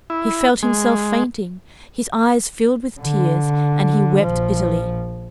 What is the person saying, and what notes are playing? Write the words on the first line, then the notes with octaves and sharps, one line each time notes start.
He felt himself fainting, his eyes filled with tears, and he wept bitterly.
E4
G#3
D3
A#1 F3